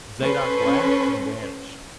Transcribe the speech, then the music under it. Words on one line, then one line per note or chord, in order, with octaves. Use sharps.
Zadok laughed and vanished.
C#4 A4 B4 C5